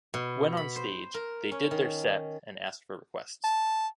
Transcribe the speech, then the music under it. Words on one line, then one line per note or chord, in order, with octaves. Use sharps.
When on stage, they did their set and asked for requests.
B2
B5
C5
A#4
C#4
D#3
A5